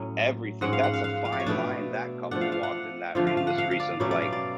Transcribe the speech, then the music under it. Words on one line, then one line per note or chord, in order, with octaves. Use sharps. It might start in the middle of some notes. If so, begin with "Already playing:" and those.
everything. That's a fine line that couple walked in that re in this recent, like,
Already playing: A2 F#3 A3 C#4
G#2 G#3 C#4 F#5
F5
F#5
F5
F5
F5
D5
C#5
B2 A3 D4 D5
F3 A3 D4 F#5
F5
F5
F#5
D3 F3 A3 D4 F5
F5
F5
F#5
F5
F5
D5
B2 F#3 A3 C#4 D5
D5
F5
D5